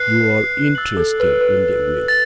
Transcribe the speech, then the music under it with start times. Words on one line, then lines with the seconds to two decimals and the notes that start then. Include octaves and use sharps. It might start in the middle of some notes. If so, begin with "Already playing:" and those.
"You are interested in the will."
Already playing: B4 F#6 C7
0.75 E6 A6 C7 F#7
0.97 A4
1.20 B4
1.41 B4
2.08 A6